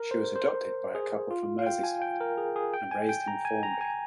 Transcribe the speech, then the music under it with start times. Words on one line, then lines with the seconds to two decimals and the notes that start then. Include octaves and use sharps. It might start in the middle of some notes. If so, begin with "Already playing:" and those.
She was adopted by a couple from Merseyside and raised in Formby.
Already playing: A#4
0.11 C5
0.35 C5
0.95 G#4
1.31 F4
1.59 F5
1.66 G5
1.83 G#5
2.02 G5
2.20 A#4
2.38 G#4
2.56 G#4
2.74 G5
2.91 G#5
3.09 G5
3.28 A#5
3.45 G#5
3.63 A#5
3.81 G#5